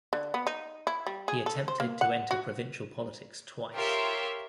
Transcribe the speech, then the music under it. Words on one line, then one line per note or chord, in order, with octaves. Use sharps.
He attempted to enter provincial politics twice.
D3
B3
D#4
E4
G3
G#4
A4
C5
A#3
F#5
F#4
F4 G4 A#4 C#5 E5 C6